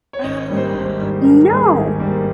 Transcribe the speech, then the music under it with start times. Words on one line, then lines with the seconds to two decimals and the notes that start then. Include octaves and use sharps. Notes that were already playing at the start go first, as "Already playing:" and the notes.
Uh, no.
0.13 C#5
0.24 G#1 D#5
0.48 G#2 G3 A#3
0.57 C5
0.74 G#1
0.99 G#2 G3 A#3
1.24 G#1 A#4
1.49 G#2 G3 A#3 G#4
1.74 G#1
2.00 G#2 G3 A#3